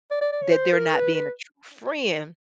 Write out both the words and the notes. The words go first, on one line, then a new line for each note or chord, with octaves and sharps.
that they're not being a true friend,
D5
D5
D5
C#5
C5
A#4
B4
B4